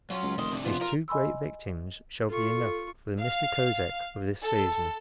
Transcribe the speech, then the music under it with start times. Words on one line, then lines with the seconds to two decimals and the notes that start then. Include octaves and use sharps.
These two great victims shall be enough for the Mista Kosek of this season.
0.10 F#3 C#4 F4
0.23 C#2
0.38 F1 D2 D#3 C6
0.52 C3 D4
0.65 F3 B3 F4
0.81 F4 A#4
1.08 D#5 G#5 B5 C6 E6
2.29 F4 A4 C#6
3.20 F5
4.41 A4